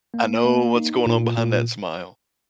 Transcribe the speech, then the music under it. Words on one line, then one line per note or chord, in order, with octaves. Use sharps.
I know what's going on behind that smile.
A#3
A#3
D#4
A#2
A#2